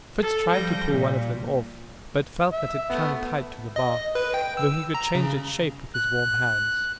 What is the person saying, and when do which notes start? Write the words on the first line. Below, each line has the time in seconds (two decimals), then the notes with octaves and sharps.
Fritz tried to pull one of them off, but felt that it clung tight to the bark, though he could change its shape with his warm hands.
0.22 A4
0.51 F3 G3 G6 A#6
0.89 A#2
2.53 E5
2.90 A3 B3
3.76 D#5
4.15 B4
4.34 G5
4.57 E6
4.95 A#5
5.15 C#3
5.94 F#6